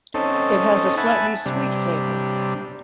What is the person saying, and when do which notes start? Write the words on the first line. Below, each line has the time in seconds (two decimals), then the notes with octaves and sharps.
It has a slightly sweet flavor.
0.14 C4 C#4 D#4 A4
0.97 E5 F#5 G#5 A5 B5
1.46 C3 G3 D4